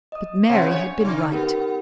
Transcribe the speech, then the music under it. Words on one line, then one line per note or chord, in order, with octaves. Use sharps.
But Mary had been right.
D#5 D#6
C3 F3 A3 C#5 F#5 G#5 B5 C6
D4 C#5 G#5
A#2 C#3 D#4 C6
B3 G4 A#4 B4